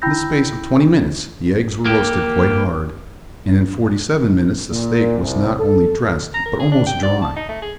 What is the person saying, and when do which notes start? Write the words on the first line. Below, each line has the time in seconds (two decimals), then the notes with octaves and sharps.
In the space of twenty minutes the eggs were roasted quite hard, and in forty-seven minutes the steak was not only dressed, but almost dry.
0.02 E4 G5 B5 E6 G6 A#6
1.85 A#3 G4
4.71 A#2
5.19 C2
5.59 A4
6.34 A#5
6.46 A#4
6.60 G#4
6.72 D4
6.86 G5
7.03 D5
7.22 A5
7.36 D#4
7.49 A3
7.62 G#4